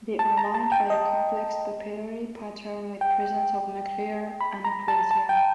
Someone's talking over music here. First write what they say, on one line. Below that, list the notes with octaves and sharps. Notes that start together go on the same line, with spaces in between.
They are lined by a complex papillary pattern with presence of nuclear anaplasia.
A5
A#5
A5
G5
D#5
G5
B5
A#5
A5
A5
G5